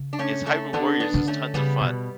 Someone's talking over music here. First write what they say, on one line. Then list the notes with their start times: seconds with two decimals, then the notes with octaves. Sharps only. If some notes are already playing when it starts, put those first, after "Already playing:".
is, Hyrule Warriors is tons of fun,
Already playing: C#3
0.13 D4
0.19 A3 C#4
0.46 A3 C#4
0.73 D3 B3 D4
1.00 B3 D4
1.14 D3
1.27 A3 C#4
1.54 C#3 G3 B3
1.81 B2